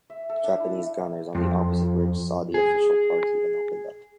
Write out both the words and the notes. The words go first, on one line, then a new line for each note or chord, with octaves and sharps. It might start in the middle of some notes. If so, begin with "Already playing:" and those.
Japanese gunners on the opposite ridge saw the official party and opened up.
E5
A4
D4
E4
F2
G#4